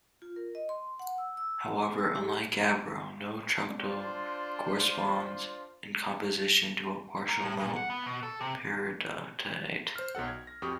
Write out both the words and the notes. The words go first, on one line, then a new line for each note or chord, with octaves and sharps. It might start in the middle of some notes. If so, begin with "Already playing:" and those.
However, unlike gabbro, no troctolite corresponds in composition to a partial melt of peridotite.
F4
A#4
D#5
C6
F#5
E6
E6
F#5
G#5
E6
G4
D4 F4 C5
A#4
A2
A#2
F#5
B3
B2
A4
C3
C5 F6
B1 F#3 A4 F#5
G#6
A#6
F2 F#4 G4 C#6 D#6